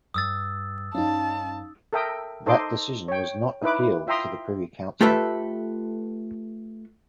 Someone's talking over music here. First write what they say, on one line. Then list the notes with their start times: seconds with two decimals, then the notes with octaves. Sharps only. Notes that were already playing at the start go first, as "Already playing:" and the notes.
That decision was not appealed to the Privy Council.
0.14 G2 D#6 E6 A6
0.95 G2 C#4 D#4 C#5 F5 A5
1.93 A4 A#4 E5 G5 D#6
2.46 D#4 A4 C5 D#5 C6 D6
3.08 C#5 G5
3.62 D#4 E4 B4 D6
4.07 F4 E5 G5 A#5 C6 D#6
5.01 A3 F4 G4 A4 B4 E5